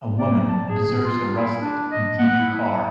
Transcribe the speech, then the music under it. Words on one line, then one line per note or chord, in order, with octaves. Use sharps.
A woman observes a rusted antique car.
D5
A5
G#4
F4
E4
D4
D#5
F#5
E4
E4